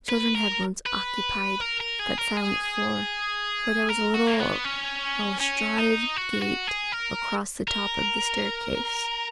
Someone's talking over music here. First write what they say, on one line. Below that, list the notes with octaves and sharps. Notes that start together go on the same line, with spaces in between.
Children had once occupied that silent floor for there was a little balustraded gate across the top of the staircase.
B4
A#4
B4
A#4
A#4
G#4
A#4
G#4
A#4
F#4
A#3
B3
C#4
C#4
D#4
F#4
F#4
G#4
A#4
A#4